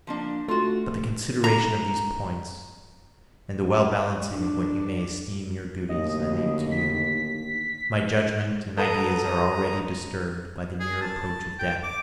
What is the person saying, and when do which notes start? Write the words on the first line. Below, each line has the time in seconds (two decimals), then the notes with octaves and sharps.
But the consideration of these points, and the well balancing of what you may esteem your duties, I leave to you; my judgment and ideas are already disturbed by the near approach of death.
0.07 F3 A#3 D4
0.48 A3 F4 F#4
1.44 A#5
4.31 D4
5.89 D#2 A2 D3 F#3 D#5
6.72 B6
8.77 A4 B4 F#5 A#5 D#6
10.80 G#4
11.02 A5
11.59 G5
11.83 D6